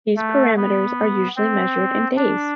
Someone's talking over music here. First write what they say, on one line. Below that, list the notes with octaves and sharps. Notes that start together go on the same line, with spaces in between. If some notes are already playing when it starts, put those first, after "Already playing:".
These parameters are usually measured in days.
A3
B3
C4
D4